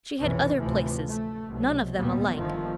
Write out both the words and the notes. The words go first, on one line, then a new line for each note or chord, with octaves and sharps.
She had other places, none of them alike.
B1 F2 C3 E3 C#4
A1 D2 A2 C3 E3 F3
A3
C2 B2 F#3
D#2 A#2 G3 B3
G1 D#3 F3 A3